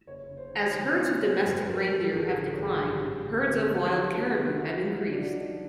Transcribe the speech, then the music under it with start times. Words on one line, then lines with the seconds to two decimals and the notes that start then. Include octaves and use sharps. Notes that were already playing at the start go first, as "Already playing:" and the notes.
As herds of domestic reindeer have declined, herds of wild caribou have increased.
0.07 F#1 C#5
0.30 F#1
0.37 C5
0.53 D#3
0.68 C#5
0.76 D#3
0.98 G3 C#5
1.21 D#3 C5
1.44 F#2 B4
1.67 F#2 A#4
1.90 F3 A4
2.07 G4
2.13 A1 G#4
2.36 D3 A4
2.59 A1 G#4
2.81 G2 G4
3.04 A1
3.27 D3 G4
3.51 D3
3.73 D#3 G4
3.96 D#3
4.19 F#3 F#4
4.42 D#3
4.57 F#4
4.64 F#3 F4
4.88 F#3 E4
5.10 F#3 D4
5.33 F#3 D#4